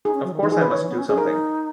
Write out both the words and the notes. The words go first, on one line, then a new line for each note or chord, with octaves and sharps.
Of course I must do something.
D#4 G#4
C#4
F#3
D#3
E3 D#4
G#4
E3
B4
D#3 C#5
E3
B3
C#4
C#4 G#4
D#4 A#4